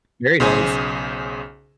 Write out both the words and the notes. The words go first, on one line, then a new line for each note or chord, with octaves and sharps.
Very nice.
B1 C#3 G#4 C5 G#5